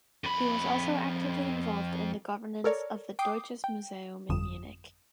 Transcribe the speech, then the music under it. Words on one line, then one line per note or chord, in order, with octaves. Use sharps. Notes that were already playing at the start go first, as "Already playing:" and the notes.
He was also actively involved in the governance of the Deutsches Museum in Munich.
F2 B5
A4 A#4 C#5 D5
G5 D6 D#6 C7
G5
G1 F2 D#6 E7